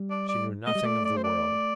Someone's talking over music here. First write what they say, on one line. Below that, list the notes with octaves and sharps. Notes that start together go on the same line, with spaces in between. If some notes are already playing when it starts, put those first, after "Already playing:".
She knew nothing of the world.
Already playing: G3
D5
D5
A3 D#5
G3
A3 D5
D5
C5
D5